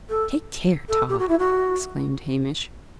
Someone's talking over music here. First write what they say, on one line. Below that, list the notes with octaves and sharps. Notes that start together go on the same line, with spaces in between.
"Take care, Tod!" exclaimed Hamish.
A4
A4
G4
F#4
E4
F#4